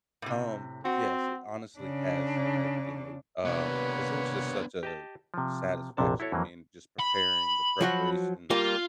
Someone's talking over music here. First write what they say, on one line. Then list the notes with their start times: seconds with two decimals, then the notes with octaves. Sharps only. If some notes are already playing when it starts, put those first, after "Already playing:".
Um, yes it honestly has significantly um, 'cause it was just such a satisfaction of being just preparing the preparation
0.22 A2 C3
0.85 C4 F#4
1.79 C#3 D4
3.45 C3 A#3 B3 D4 B4 C#5 F#5
4.83 G4 D#5 A5
5.34 C3 F3
5.97 A#1 F2 C3 A5
6.20 E4 F#4 A4 C#5
6.32 F2 E3 F#3 A#3
7.00 B5
7.81 F3 F#3 F#4
8.50 G3 A#3 F4